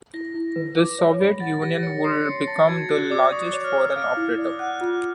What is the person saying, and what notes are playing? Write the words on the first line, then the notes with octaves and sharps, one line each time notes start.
The Soviet Union would become the largest foreign operator.
E4 A#6
E4
B4
D6
C#5
B5
F#5 A6
G4 A#6
C#5 C#7
C6 C7
C#5 C#7
A5 A6
F#4 G#6
F#4 F#6
D5 D6
C#6 D#6
C#5
F6
A#5
F5 F6
E4
D5
F#5 F#6
F4